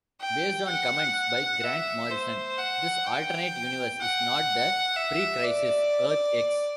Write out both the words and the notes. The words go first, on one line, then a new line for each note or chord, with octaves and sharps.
Based on comments by Grant Morrison, this alternate universe is not the pre-Crisis Earth-X.
G5
F#5
E5
C5
F#5
G5
F#5
E5
D5